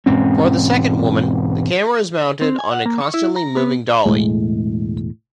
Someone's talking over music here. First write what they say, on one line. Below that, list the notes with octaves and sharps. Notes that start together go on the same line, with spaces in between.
For the second woman, the camera is mounted on a constantly moving dolly.
E1 G#2 C4 C#4
C4
G#5
F#5
A#3
C#6
E4
A#5
B3
E1 F#2 A2 G#3